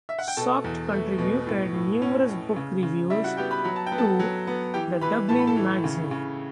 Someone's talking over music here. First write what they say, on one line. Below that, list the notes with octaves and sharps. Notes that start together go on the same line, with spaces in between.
Salkeld contributed numerous book reviews to "The Dublin Magazine".
E5
F#5
G5
B2 A4 A5
E2
A3
B2
A2
A2
C#4
A2
C#3
C#3
G3 E4 E5
F#4 F#5
B3 G4 G5
B4 B5
F#3 B5
A5
G5
B3
A4 A5
F#3
B3
E3 G4 G5
E3 B4 B5
A2 A5
B5
A4 A5
E3
C#3
C#3